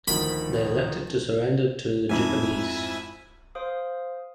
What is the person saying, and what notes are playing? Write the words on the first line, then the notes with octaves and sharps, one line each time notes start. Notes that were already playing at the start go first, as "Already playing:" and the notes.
They elected to surrender to the Japanese.
D2 D#3 F3 B5
F2 G#2 E4 E5 G#5
C5 F5 D#6